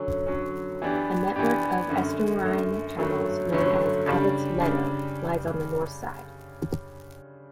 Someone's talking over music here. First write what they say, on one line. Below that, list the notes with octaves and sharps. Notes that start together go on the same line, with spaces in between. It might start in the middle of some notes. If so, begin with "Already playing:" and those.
A network of estuarine channels known as Abbotts Meadow lies on the north side.
Already playing: D3 F#3 C#4
D3 F#3 C#4
E3 B3 D4 G4
E3 B3 D4 G4
F#2 D3 A3
F#2 D3 A3
G2 D3 F#3 A3 C#4
G2 D3 F#3 A3 C#4
C#3 G3 D4
C#3 G3 D4